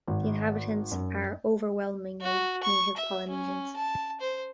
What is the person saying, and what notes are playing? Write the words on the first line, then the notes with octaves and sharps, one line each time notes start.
The inhabitants are overwhelmingly native Polynesians.
G#1
F#2
F#4
C#6
E5
C#4
A5
C5